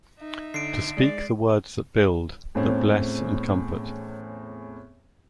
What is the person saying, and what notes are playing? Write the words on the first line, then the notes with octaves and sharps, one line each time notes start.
To speak the words that build, that bless and comfort.
D#4 E5
D3 C7 D7
G#3 D5
E2 A2 C4 C#4